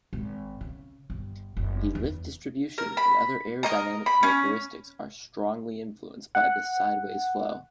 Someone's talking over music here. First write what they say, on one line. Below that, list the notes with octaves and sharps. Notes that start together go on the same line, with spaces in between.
The lift distribution and other aerodynamic characteristics are strongly influenced by this sideways flow.
G#1
C#3
G1
F#1
E2
A#4
B5
A#4 D#5 A#5
B5
C#4
F#5